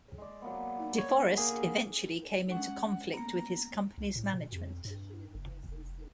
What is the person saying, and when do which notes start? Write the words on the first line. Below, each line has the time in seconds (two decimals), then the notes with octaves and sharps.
De Forest eventually came into conflict with his company's management.
0.18 G#3 D5
0.42 F#3 A#3 B3
0.98 C#5
1.38 A#3 G#4
2.50 G#3 C#4 F#5
3.14 A#3 B3 A#5
3.98 C2
4.16 A2
4.33 B2
4.53 F2
4.85 G2
5.35 F#1
5.68 F1